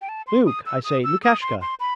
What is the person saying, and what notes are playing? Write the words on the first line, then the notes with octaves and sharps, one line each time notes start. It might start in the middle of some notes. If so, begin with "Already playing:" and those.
'Luke, I say, Lukashka!
G5
A5
C6
D#6
E6
D#6
E6
D#6
C6
C6
B5